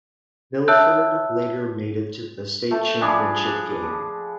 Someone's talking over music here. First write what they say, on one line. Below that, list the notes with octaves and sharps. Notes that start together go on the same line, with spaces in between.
Milford later made it to the state championship game.
C#5 E5 A5 E6 F#6 G6
A3 A5
F3 D4 G#4 B5